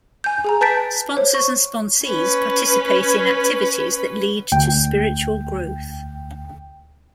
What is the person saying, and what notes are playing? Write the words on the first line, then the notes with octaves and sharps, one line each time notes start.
Sponsors and sponsees participate in activities that lead to spiritual growth.
G#5 G6
G#4 G#5 A#5
B4 A5 G6 A6 B6 D7
C5 C#5
C#6
C#4 B4
D2 G5